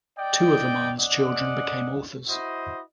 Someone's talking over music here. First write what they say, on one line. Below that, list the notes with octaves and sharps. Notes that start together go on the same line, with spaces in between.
Two of Oman's children became authors.
D5 D#5 G5
C#4 D5 D#5 F#5
E4 F#4 C5 D#5